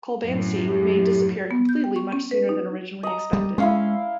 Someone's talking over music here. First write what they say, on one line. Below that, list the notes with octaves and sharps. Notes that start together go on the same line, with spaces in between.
Kolbeinsey may disappear completely much sooner than originally expected.
F#2 A2
G4
B3
G6
G5
C#6
C#4
B4
D#4
D#5 A#5
G3
G#3 C#4 E4 F5 C6